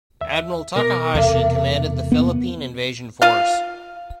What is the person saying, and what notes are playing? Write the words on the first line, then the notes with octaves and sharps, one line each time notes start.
Admiral Takahashi commanded the Philippine Invasion Force.
D#2 E5
B2 B3 A#4 D6
E2 C3 A3
A#3 B3
F4 F5